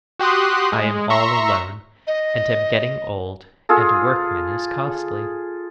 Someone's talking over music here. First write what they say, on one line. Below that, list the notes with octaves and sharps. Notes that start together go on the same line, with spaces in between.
I am all alone, and am getting old, and a workman is costly.'
F#4 G4 C6 D#6 F#6
G#3
E5 A#5 C6 C#6
D#5
F4 G#4 A4